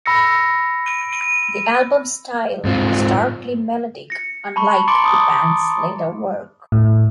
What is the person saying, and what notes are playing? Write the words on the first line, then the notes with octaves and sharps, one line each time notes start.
The album's style is darkly melodic, unlike the band's later work.
B5 E6 A#6 C#7
G#2 C4 F4
A#6 C#7
A5 B5 C#6
A#5 C6 D6 A6 C#7 D7
A5 D#6
A2